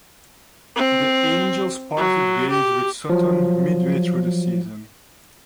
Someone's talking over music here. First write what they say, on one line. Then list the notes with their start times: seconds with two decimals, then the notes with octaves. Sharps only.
The Angels parted ways with Sutton midway through the season.
0.76 C4
1.97 F#3
2.50 G4
3.10 F3 F#3